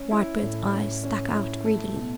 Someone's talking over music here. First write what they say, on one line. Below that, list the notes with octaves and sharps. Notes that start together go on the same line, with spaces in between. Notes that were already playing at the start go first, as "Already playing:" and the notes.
Whitebird's eyes stuck out greedily.
Already playing: C#4
E4
A2
C#4
C#4
E4
A3
B2